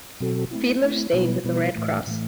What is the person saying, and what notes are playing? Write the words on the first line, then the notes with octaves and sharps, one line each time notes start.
Fiedler stayed with the Red Cross.
B2 F#3 C4 F#4 A4
A3 C4 E4
A3 C4 E4
B2 G3 B3 E4 B4
B2 G3 B3 E4 B4
A2 E3 A3
A2 E3 A3